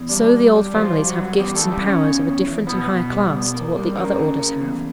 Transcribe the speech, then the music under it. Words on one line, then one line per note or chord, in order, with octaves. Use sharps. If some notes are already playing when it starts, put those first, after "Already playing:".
So the old families have gifts and powers of a different and higher class to what the other orders have.
Already playing: E2
G3 D4
G3
G3
F3 G3 F4
G3
F#3 F#4
G2
E2 G3 G4
E3 A3 A4
G3 G4
C#3
C#4 C#5
E2
E2
E3
B2 B3 B4
B2
G3
B2
A#3
G3
C#3 A#3 A#4
C#3
C#3
E2